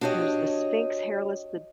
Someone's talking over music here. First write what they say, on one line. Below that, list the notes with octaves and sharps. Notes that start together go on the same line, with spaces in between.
there's the Sphinx hairless, the
D4 F#4 G4 C#5 D#5